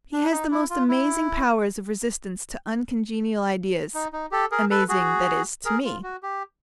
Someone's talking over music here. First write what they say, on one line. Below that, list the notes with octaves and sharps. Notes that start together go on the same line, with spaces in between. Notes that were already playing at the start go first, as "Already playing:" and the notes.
He has the most amazing power of resistance to uncongenial ideas; amazing that is, to me.
D4
D#4
E4
F4
E4
D#4
D#4
G4 A4
G#4 A#4
A4 B4
F#4 G#4
G#4 A#4
F4
F#4
G4